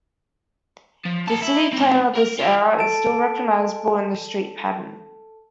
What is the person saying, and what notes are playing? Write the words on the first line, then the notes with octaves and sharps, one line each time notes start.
The city plan of this era is still recognisable in the street-pattern.
F3
A#4 A5
E4
C4 D#4
A#4
F4 E5
A4 A5 D7